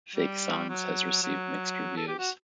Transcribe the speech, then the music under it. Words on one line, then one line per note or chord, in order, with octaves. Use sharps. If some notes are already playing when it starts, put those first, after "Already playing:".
"Fake Songs" has received mixed reviews.
G3
F#3
F#3
A4
G4
F#4